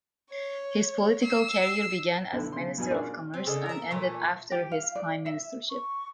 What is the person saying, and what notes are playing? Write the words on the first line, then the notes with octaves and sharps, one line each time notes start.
His political career began as Minister of Commerce and ended after his Prime Ministership.
C#5
E6 C7
B1 D3 E4
C#3 C6
G2 B2 G#5
C#4 D4 F4 G#4 A#4 D5
C4
C#3 A4 D5 D#5
A#4 E5
A#2 E3 A3
G4
F5
D5
E5
C#6